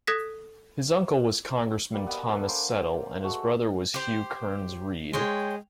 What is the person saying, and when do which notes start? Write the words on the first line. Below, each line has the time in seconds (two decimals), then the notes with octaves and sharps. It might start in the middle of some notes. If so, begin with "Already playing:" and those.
His uncle was Congressman Thomas Settle, and his brother was Hugh Kearns Reid.
0.07 A4 D#6 F#6 G#6 A#6 B6
1.94 G3 A#3 D5
2.06 B3 D#5 F#5
2.28 B3 D4 A4 A#4
2.48 A#3 C5 G#5 D6
3.24 G#3 A3 F#4
3.94 G4 C5
5.13 G#3 C5 C#5 G5